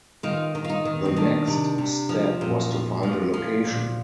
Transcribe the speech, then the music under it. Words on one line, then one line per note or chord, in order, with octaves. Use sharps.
The next step was to find a location.
D#3 F4
D#3
F4
D#4
D#3
C4
D#3 D4
C3
C3
F3
A#2
F3
F3
F3
A#2